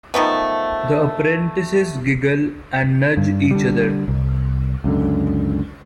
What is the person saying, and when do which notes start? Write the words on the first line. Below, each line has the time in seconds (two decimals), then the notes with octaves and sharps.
The apprentices giggle, and nudge each other.
0.14 D#3 F3 A3 B3
3.17 G2
3.51 D3 G3
4.08 C2
4.84 C#2 F#2 D3